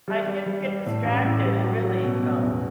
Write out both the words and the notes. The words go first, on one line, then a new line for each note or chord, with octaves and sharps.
I didn't get distracted. It really no,
G3
G3
G3
G3
A2
A1
A2
G3
F#3
F#3
B2
B2
E2